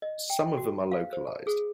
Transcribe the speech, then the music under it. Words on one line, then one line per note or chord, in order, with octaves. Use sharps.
Some of them are localized.
D#5
G5
F#4
F5
C5
A5
G#4